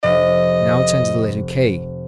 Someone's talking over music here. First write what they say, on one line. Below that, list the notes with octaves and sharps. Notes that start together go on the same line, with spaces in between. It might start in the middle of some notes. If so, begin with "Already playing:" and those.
Now turn to the letter k.
F1 D#5